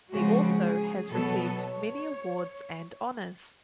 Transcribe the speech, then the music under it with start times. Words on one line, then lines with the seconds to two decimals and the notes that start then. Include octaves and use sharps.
He also has received many awards and honors.
0.12 C#3 F3 G#3 C4 F#4
0.61 G#4
1.10 B2 F#3 B3 A4
1.59 C#5